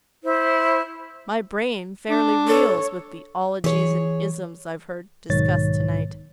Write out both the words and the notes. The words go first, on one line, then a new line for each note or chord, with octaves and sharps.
My brain fairly reels with the 'ologies and 'isms I've heard discussed tonight.
E4 C5
D4
A4 C#5
E3 G#4 C#5
B1 G#2 D#3 C#5 A6